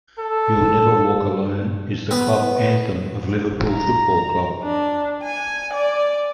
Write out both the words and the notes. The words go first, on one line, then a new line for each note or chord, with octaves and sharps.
"You'll Never Walk Alone" is the club anthem of Liverpool Football Club.
A4
B3
A#5
D4
G#5
D5